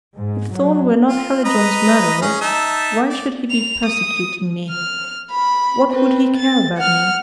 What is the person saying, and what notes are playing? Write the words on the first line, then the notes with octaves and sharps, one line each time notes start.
If Thorn were not Hallijohn's murderer, why should he be persecuting me--what would he care about me?
G#2
F#3
F4
B4 D#5 A#5
C#4 G#4
D#4 E5 A5
D5
F7
D#6
F6
B5
C4 B4
A6
F#5 F6